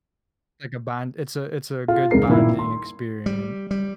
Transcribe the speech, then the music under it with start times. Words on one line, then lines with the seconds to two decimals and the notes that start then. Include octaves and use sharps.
Like a bond it's a it's a good bonding experien
1.88 F4
2.11 E1 C#2 C#3 D#4 A#4 C7
2.28 G2 A#2 D#3 A#3 E4
2.59 C6
3.26 G3
3.71 G3